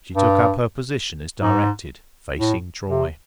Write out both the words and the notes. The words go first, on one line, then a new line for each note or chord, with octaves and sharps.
She took up her position as directed, facing Troy.
G2
G#2
A2
C3